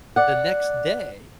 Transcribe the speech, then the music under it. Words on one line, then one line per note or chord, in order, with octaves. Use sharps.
the next day,
D5 F#5